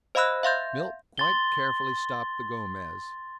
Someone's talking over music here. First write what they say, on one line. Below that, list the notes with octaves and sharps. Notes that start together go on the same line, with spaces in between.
Milt quite carefully stopped the Gomez.
C5 D#5 F5 B5 E6 F#6
E5 F5 C6 G6
C6 A6 G7